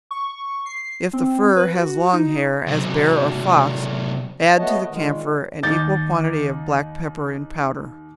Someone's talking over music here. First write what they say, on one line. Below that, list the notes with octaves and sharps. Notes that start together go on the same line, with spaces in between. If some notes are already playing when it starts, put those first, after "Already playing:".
If the fur has long hair, as bear or fox, add to the camphor an equal quantity of black pepper in powder.
C#6
C7
C4
B4
F#4
D#4
C3 F#3
A3 B3 F#4 C#5 D#5 A5
A#2 D#3 G#3
D#2 D#4 D6 G6 A6